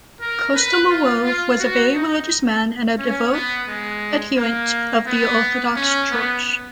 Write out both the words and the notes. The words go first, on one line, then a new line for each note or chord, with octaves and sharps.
Kostomarov was a very religious man and a devout adherent of the Orthodox Church.
A#4
B4
F4
F4
F#4
D#4
C#4
B3
G#3
A#3
B3
C#4
B3